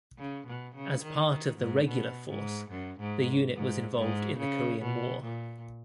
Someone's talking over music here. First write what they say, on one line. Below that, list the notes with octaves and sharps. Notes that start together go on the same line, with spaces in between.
As part of the Regular Force, the unit was involved in the Korean War.
C#3
B2
C#3
D#3
D#3
G#2
B2
G#2
F#2
G#2
G#2
G#2
C#3
B2
A#2